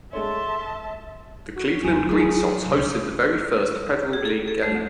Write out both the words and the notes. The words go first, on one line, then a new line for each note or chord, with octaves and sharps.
The Cleveland Green Sox hosted the very first Federal League game.
G#3 A4 C#5 E5 A5 C6
F#4
E2 F#3 G#5
F#3 G#3 G#4
C2
G#4
A4
A4
A3
D2